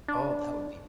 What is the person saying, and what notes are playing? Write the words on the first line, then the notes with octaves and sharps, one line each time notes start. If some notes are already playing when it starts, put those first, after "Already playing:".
Oh, that would be
D4